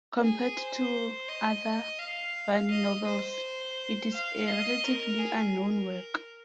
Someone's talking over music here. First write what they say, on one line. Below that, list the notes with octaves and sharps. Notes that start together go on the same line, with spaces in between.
Compared to other Verne novels, it is a relatively unknown work.
G#4
C5
D#5
F5
D#5
C5
F5
D#5
A#4
G#4
A#4